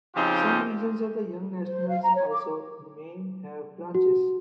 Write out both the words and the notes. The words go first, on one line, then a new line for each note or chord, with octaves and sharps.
Some regions of the Young Nationals also may have branches.
C#3 F3 C4 D#4 F4 G4
C5
F5
A#5
C#5
D6
F#4